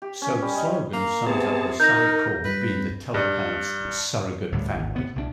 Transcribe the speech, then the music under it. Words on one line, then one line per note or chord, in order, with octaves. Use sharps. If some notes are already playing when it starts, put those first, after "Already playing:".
So the slogan sums up the Psi Corps being the telepath's surrogate family.
G4
C#4
G3
D#5
A#3
C3 B3 G#4 A5
D#4 A#4 G6 A#6
G2 B4
G2
D2 A2 D3 G3
G#1
A2 C3 B3
C2 B2 E3 D4